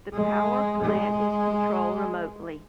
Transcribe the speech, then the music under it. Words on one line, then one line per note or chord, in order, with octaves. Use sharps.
The power plant is controlled remotely.
G#3
G#3